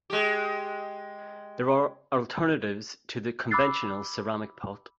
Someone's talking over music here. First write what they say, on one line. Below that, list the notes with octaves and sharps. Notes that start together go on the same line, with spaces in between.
There are alternatives to the conventional ceramic pot.
G#3 G4
B5 D6 E6 F#6 A6 C7